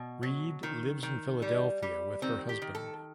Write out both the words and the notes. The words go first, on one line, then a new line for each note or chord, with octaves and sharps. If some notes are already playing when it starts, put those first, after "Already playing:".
Reid lives in Philadelphia with her husband.
Already playing: B2
F#3
D#3
D#3
G3
G3
D#3 C4
G4
D#3
A4